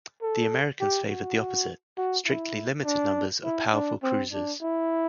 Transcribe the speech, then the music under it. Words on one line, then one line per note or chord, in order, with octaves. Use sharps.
The Americans favoured the opposite: strictly limited numbers of powerful cruisers.
A4
G4
F#4
F#4
E4
D4
E4
D4
C4
D4
E4